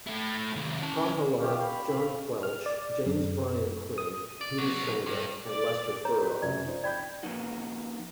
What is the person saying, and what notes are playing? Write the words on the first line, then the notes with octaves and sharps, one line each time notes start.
Prahalad, John Quelch, James Brian Quinn, Peter Senge, and Lester Thurow.
A3 E4
D#2 C3
C#4 A5
C#4 F4 G4 G5
F5 B5
E5 F5
F6
D5
F#2
D#6
D5
F#3 B3
G2
D5
C#5 A#5
G4 B4
F1 F#2 C#3 D5
F3 D#4 C5
D5 G5 B5 G6
F3 A#3 B3 C#4 D#4 F#4